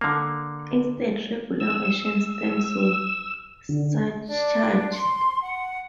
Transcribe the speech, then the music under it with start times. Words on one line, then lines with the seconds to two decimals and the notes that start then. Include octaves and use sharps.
Instead, regular Russian stamps were surcharged.
0.01 D3 A#3
1.60 E6
3.69 D3
4.26 D4
4.91 C6
5.41 F#5